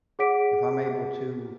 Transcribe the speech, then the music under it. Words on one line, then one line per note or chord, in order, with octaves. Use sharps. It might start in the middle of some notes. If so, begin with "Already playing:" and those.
If I'm able to
G#4 C#5 F#5 D6 B6 D7